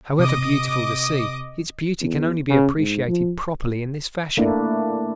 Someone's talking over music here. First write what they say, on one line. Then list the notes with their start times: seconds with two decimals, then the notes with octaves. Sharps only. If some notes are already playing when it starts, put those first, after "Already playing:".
However beautiful the sea, its beauty can only be appreciated properly in this fashion.
0.19 C3 D#5 D6 D#6
2.01 E2
2.49 C#3
2.78 G#2
3.08 F3
4.37 A3 A#3 D4 E4